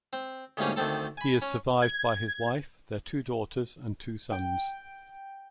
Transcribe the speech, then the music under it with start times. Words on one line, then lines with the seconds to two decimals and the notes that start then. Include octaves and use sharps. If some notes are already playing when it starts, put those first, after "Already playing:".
He is survived by his wife, their two daughters and two sons.
0.13 C4
0.57 D2 G#2 G3 A#3 C#4 G#4
0.76 D2 D#3 C4 A4
1.17 G#5 B5
1.42 C#4
1.82 G#6
4.32 G5